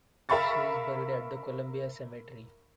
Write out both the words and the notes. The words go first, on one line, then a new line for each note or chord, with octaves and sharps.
She is buried at the Columbia Cemetery.
A#4 E5 F5 B5 C#6 A6